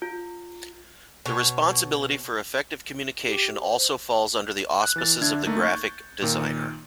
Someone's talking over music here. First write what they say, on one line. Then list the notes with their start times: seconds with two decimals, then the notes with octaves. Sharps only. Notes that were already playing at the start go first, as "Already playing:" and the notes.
The responsibility for effective communication also falls under the auspices of the graphic designer.
0.02 F4
1.26 B2 C#5
3.27 G4
3.61 C5
4.83 F#6
4.96 E3 A6
5.21 D3 D4 E5 G#6
5.47 A3 A#3 D#4
5.62 C#6 G6 A6
6.22 A#2 D#3